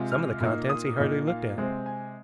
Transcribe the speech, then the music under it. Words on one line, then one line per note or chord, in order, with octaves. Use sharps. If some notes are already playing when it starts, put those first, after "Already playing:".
Some of the contents he hardly looked at.
Already playing: C3 G#3 F4
F6
A#2 A#3 D#4
D#6
A#2 A#3 D#4
F5
C3 G#3 C4
G#5